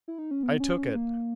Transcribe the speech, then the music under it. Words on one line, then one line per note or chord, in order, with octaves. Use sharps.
I took it.
E4
D#4
C#4
B3
C#4
C#4
A#3